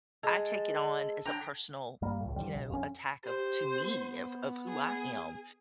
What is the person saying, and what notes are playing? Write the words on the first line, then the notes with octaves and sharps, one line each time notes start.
I take it on as a personal, you know, attack of to me of of who I am
G#3 A4
D3 G5 A#5
G2 G3 A#3
C#2 A2
F2 D3 G3
B1
F2 C#4
G4 C5
B3
G#4